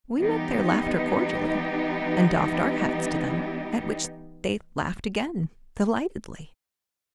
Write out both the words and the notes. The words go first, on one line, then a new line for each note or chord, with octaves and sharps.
We met their laughter cordially, and doffed our hats to them, at which they laughed again, delightedly.
E3 G3 B3 D#4 G4